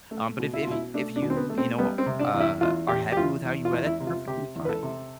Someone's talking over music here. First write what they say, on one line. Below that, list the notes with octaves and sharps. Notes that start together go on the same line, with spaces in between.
um, but if if if you, you know, uh, are happy with how you are, that's perfectly fine.
A3
B2
E4
F4
B2 E4
A3 D4
D4
B2
C4
B3
A3
C4
G3 B3
C4
C3
D4
E2
E4
E2 F4
E2 G4
G4
E2 F4
E2
F4
E2
E4
C3
F4
C3 G4
E2
B4
A4
C3